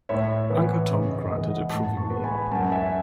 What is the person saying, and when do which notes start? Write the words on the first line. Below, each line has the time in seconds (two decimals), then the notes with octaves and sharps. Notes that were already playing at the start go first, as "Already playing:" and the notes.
Uncle Tom grunted approvingly.
0.09 A2 C#5 E5
0.50 E3 B3
0.91 C#3
1.10 D#5
1.30 E3 G#3 B3 D#5
1.50 D#5 F#5
1.70 A2 F#5 A5
1.97 A5 C#6
2.10 G#3 B3
2.24 G#5 B5
2.51 F#2 F#5 A5
2.72 E5 G#5